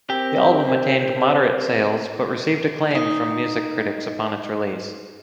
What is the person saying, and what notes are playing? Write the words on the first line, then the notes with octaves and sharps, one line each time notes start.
The album attained moderate sales, but received acclaim from music critics upon its release.
C4 G4 A#4 G5
D#4 G#5